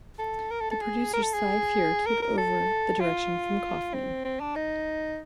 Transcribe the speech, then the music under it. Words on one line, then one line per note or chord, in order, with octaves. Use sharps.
The producer Cy Feuer took over the direction from Kaufman.
A4
A#4
A4
A4
G#4
A#4
A4
G#4
A#4
A#4
A4
F4
C4
C4
D4
D#4